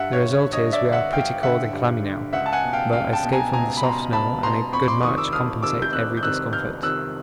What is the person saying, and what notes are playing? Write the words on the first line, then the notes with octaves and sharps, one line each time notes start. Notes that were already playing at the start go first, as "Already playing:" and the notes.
The result is we are pretty cold and clammy now, but escape from the soft snow and a good march compensate every discomfort.
Already playing: G2 E5 F#5
C#5
D3
C#5
G2 C#5 D#5
D5 E5
D3
E5 F#5
G2 F5 G5
D3 E5 F#5
G2
D3
C#2 E5 F#5
A5
F#5 G#5
B2
F5 G5
C#2 F5 G5
G5 A5
B2
G#5 A#5
C#2 G#5 A#5
B5
B2 A#5 C6
C#2 A5 B5
B2 A#5 C6
F2 B5 C#6
C6 D6
C3 D#3 C#6 D#6
D6 E6
F2 D#6 F6
C3 D#3 D6 E6
G6
F2 E6 F#6
G6
C3 D#3 E6 F#6
F2 F6 G6
C3 D#3 E6 F#6